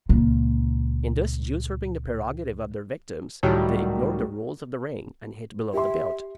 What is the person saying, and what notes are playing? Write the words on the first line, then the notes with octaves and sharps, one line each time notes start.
In thus usurping the prerogative of their victims, they ignore the rules of the ring, and hit below the belt.
C#2 A#2
C#2 A2 D#3 F#3 G3
G4 E5 C6